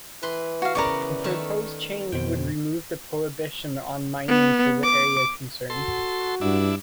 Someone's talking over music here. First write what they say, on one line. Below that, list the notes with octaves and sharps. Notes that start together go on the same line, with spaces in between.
The proposed change would remove the prohibition on mining for the area concerned.
E3 B4 C6
F#4 F5
C#3 B3 A#4 D5 C#6
D#3 A3
F2 B2 C5 G5
B3
D6
F#4 A4 C6
G2 D4 E4